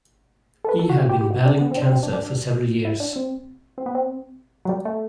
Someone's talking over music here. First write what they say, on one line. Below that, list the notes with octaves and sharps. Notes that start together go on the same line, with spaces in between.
He had been battling cancer for several years.
A4
B4
A4
F#4
F#4
G4
G4
F#4
D4
B3
C4
D4
C4
C4
D4
D4
E4
D4
C4
C4
B3
C4
F#3
G3
A3